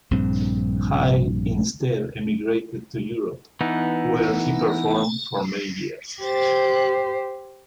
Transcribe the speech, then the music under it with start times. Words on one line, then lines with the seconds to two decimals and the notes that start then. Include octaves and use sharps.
Height instead emigrated to Europe, where he performed for many years.
0.11 A#1 G2 C4
3.61 E3 B3 D#4
6.22 G4 C5